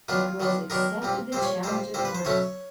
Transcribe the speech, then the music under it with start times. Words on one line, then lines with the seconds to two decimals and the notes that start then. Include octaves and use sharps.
The girls accepted the challenge at once.
0.08 D#3 F#3 B3 D4 F4
0.40 D#3 F#3 B3 D4
0.70 D#3 F#3 B3 D4 A#4
1.02 A#2 G3 C4
1.32 A#2 G3 C4 C5
1.43 C#5
1.63 A#2 G3 C4 C5
1.94 A#2 G3 C4 C5
2.05 B4
2.15 C5
2.25 B2 F#3 A3 C#4 C#5